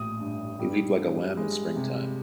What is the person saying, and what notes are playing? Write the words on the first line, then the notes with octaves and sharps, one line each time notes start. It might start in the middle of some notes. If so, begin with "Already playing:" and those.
He leaped like a lamb in springtime.
Already playing: A1 A#2 D#6
G2
G3
G2
G#3
C3